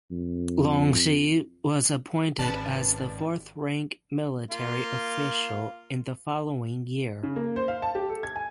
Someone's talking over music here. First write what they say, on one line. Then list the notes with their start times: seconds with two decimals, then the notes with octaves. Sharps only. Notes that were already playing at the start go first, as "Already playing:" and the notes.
Longxi was appointed as the fourth rank military official in the following year.
0.11 F2
2.39 G#1 C3 C#4 D4 B4 A5
4.51 A#3 F4 F5
7.23 C#3
7.36 A#3
7.56 C5
7.68 F5
7.82 A5
7.95 G4
8.10 A4
8.23 G#6
8.36 G#5